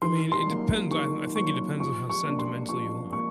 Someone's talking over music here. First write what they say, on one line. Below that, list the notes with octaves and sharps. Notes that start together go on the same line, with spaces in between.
I mean, it depends. I I think it depends on how sentimental you are
D#3 C6
C6
F#3 A#3
D#3 C#6
F#3 A#3 C#6
F3 C#6
C#6
A#3 D4
C6
F3 C#6
A#3 C#6